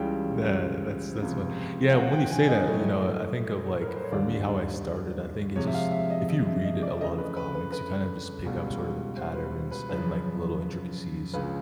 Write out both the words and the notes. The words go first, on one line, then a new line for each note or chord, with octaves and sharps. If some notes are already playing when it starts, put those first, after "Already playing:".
Tha that's that's what. Yeah. When you say that, you know, I think of, like, for me, how I started, I think it just if you read a lot of comics, you kind of just pick up sort of the patterns and, like, little intricacies
Already playing: C#2 C#3 E3 G3 G5
C#2 C3 F3
F5
F#5
G5
G#5
D#5
A2 F#3 A3
A#4
B4
C5
C#5
D#2 D3 G3 D5
F2 C3 F3 G#3 C#5
E5
F5
E5
D#5
E5
E5
D#5
D5
F2 C#3 F3 A3 D#5
B4
B4
B4
B4
C#2 B2 G3
C5
B4
B4
F#2 C#3 F3 B4
C#2 C#3 F3 B4